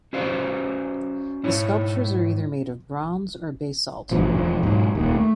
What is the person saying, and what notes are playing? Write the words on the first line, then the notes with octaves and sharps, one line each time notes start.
The sculptures are either made of bronze or basalt.
C#4 F#4 B4 C5 D5 F5
G#2 E4 C#5
A1 G2 B2 F3
E1 F3
G#2 B2 F#3
D#1 D#2
A3